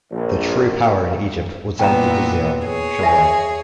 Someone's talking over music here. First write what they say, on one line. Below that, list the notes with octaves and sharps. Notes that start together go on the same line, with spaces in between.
The true power in Egypt was that of the vizier, Shawar.
A#1
A#2 E3 B3 G5 A#5
G#4 C#5
E5 G#5